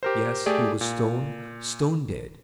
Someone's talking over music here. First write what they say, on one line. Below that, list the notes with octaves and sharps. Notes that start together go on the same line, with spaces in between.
Yes, he was stone, stone dead.
G4 A#4 C5
A3 G4 G#4 D5
A#2